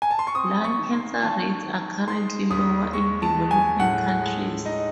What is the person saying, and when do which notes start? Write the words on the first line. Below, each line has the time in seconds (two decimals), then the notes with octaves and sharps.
Lung cancer rates are currently lower in developing countries.
0.02 G#5
0.11 A5
0.19 C6
0.27 C#6
0.35 C4 D#6
0.64 C#6
0.78 D#3
0.93 C6
1.22 D#3 A5
1.64 D#3
2.07 G#3 C6
2.50 D#2 D#6
2.93 G#3 C#6
3.22 A5
3.37 G#3
3.51 G#5
3.80 A2 F#5
4.23 G#3
4.66 D#4 D#5